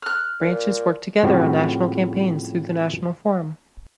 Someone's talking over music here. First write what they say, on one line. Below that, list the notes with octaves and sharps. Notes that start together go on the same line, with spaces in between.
Branches work together on national campaigns through the national forum.
F6 F#6
A#2
A2 C#3 F3 G3 C4 F#4